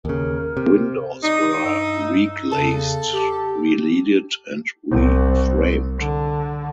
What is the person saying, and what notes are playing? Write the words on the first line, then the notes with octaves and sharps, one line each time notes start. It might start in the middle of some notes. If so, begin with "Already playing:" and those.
The windows were reglazed, releaded and reframed.
D#2 C#3 A#4
C3
D#4 D5 D#5 D#6
G2 E6
E2 C#3 A4
G4
C2
D3